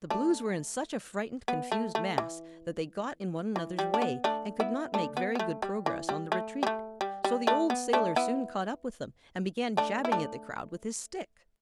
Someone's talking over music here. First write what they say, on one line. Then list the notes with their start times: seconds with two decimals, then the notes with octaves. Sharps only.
The Blues were in such a frightened, confused mass that they got in one another's way and could not make very good progress on the retreat, so the old sailor soon caught up with them and began jabbing at the crowd with his stick.
0.10 A3 D4
1.48 B3
1.72 A3
1.95 A3
2.18 E3
3.56 E3
3.79 G3
3.94 D4
4.02 B3
4.24 A3 D4
4.60 B3 E4
4.94 A3 D4
5.17 B3
5.35 B3
5.39 A3
5.62 G3
5.86 E3
6.09 G3
6.32 A3
6.63 G3
6.67 A3
7.01 G3
7.24 G3
7.47 A3 D4
7.70 B3
7.93 A3 D4
8.16 B3 E4
9.77 A3 D4
10.05 E4
10.12 A3 D4